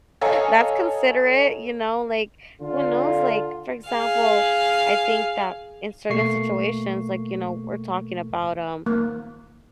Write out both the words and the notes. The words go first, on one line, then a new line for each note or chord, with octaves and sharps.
that's considerate, you know? Like, who knows? Like, for example, I think that in certain situations like, you know, we're talking about, um,
A4 C#5 D#5 F5 G#5 A#5
D3 F4
G#4 F5
B2 A3 A#3 C#6 C7
A#3